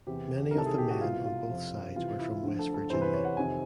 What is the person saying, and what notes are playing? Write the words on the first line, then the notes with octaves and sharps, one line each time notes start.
Many of the men on both sides were from West Virginia.
E2 C3 E3 G4
A#4
C2 C3 D#3 A4
G#4
G4
F#4
C2 B2 F4
F4
F2 C3 F3
C2 C3 E3 F4
E4
D2 D3 F3
A4
A4
E2 C3 E3 C5
B4
C#5
F#5
F2 C3 D#3 G#5